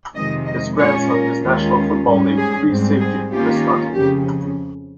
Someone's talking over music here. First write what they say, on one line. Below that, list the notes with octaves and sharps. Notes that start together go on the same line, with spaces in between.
His grandson is National Football League free safety Chris Conte.
F2 C3 D#3 G#3 D#5
D#5
A#2 G#3 C#4 F4 C#5
A#4
D#2 D#3 G#3 C#4 F4
G#2 G3 C#4
G#4
G#2 G3 C4
G#4
D#3 A#3 C#4 F4 G4
F2 C#3 G4